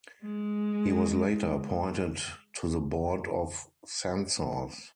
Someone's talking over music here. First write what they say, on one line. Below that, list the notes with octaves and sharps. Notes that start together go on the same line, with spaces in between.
He was later appointed to the Board of Censors.
G#3